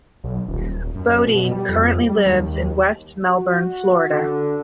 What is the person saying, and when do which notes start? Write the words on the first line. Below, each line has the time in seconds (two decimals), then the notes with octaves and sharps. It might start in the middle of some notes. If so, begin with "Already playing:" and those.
Bodine currently lives in West Melbourne, Florida.
0.24 B1
0.48 D#1
0.95 F#2
1.26 B2
1.51 G3
1.69 F2
2.09 G3
2.26 D#2
3.29 F#4
4.10 D3